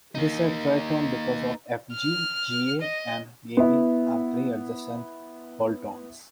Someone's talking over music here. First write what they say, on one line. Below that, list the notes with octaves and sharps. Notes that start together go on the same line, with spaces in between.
It is a tritone because F-G, G-A, and A-B are three adjacent whole tones.
A#3 D#4
F6
D#5
B3 E4